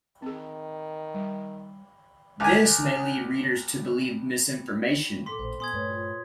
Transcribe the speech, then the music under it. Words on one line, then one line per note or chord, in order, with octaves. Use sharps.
This may lead readers to believe misinformation.
D#3 C4 G#4
G3
C#2 G#5
A#2 A4 C6 D6 B6
A1 C5
B3 G#5 C6 D#6 G#6
G2 A3 B4 C#5
F4 C#5